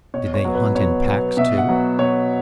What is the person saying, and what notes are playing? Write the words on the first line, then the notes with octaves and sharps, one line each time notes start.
Did they hunt in packs, too?
B2 C#5
C#5
F#3 B3
B4
B2 C#5
F#3 B3
B2 E5
F#5
F#3 B3
B2 C#5